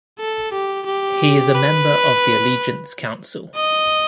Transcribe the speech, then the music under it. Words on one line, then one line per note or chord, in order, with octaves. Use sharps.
He is a member of the Allegiance Council.
A4
G4
G4
B4
D#5